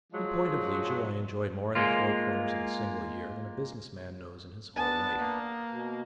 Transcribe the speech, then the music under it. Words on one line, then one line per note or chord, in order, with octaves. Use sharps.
In point of leisure, I enjoy more in the four corners of a single year than a business man knows in his whole life.
F3 F#3 G#3
G#3 A#3 F4
B3 D4 A5
A#3
B2